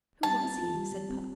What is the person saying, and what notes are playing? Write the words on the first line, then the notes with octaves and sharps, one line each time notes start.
'Who was he?' said Puck.
G3 A5
C4
F4
G3
G3
C4